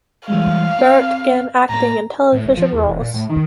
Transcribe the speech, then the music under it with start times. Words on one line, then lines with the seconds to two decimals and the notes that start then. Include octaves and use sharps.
Barratt began acting in television roles.
0.28 E3 G3 G#3 F5
0.79 C4
1.69 A2 A#3 A#5
2.32 A2
2.45 G1
2.57 F3
2.73 E2
2.85 E1
3.00 A#2
3.14 A2
3.29 D#3